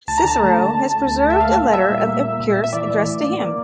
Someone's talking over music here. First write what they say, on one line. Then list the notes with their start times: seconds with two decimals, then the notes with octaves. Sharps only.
Cicero has preserved a letter of Epicurus addressed to him.
0.08 D2 A5
0.18 A#5
0.24 D3 A5
0.42 A3
0.58 D3
0.74 D3
0.91 D2
1.07 D2
1.24 A3
1.30 E5
1.40 A#3 F5
1.56 A#2
1.73 G3 E5
1.90 A#2
2.07 A#3
2.24 A#3
2.40 A#2
2.57 A#2
2.64 E5
2.73 E3 D5
2.90 E3
3.06 A2
3.23 A#3
3.40 A#3